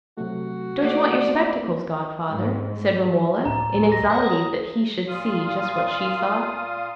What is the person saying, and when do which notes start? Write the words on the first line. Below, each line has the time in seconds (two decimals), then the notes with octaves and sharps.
"Don't you want your spectacles, godfather?" said Romola, in anxiety that he should see just what she saw.
0.17 C3 F#3 A3 F#4
0.82 A3 A#3 C4 D5 F#5
2.30 G#2
3.45 D2 A2 A#5
3.92 A#6
4.10 A#4 C#5
4.27 D#6
5.08 A#2 F4 F5 D#6